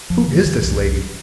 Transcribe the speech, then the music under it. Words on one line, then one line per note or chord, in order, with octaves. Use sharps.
Who is this lady?
F2 F3
D3 E3
F2 E3
C2
C2